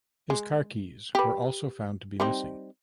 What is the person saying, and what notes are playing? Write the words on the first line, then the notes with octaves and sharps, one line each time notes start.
His car keys were also found to be missing.
G#3
G4 B4
G3 C4 D#4